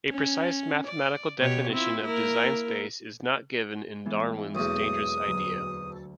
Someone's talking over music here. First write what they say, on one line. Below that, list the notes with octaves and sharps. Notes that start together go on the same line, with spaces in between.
A precise mathematical definition of Design Space is not given in "Darwin's Dangerous Idea".
C#4
D5
B2 G4 C#5
C4 E4 F4
A#3 E4 A#4
E3 G#3 B3
B1 E2 G#3 A#3 D#6
D2 F#3